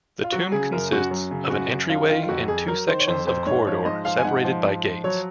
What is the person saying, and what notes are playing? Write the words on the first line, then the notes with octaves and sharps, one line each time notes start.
The tomb consists of an entryway and two sections of corridor separated by gates.
F4
F#3 F#4
C#3 G#4
F#2 A#4
F#2 F#4
F#3
C#3
F#2 F#4
F#2
F#3 F4
D#3 F4
F4
F2 F#4
F2 G#4
F#3 A#4
D#3 C5
C#5
F2 C5
F2 C5
G#2 C#5
F3 C#5
G#2 D#5
F3 F5
G#5
G#2 F#5
F3
G#2
F3
F#3 C#5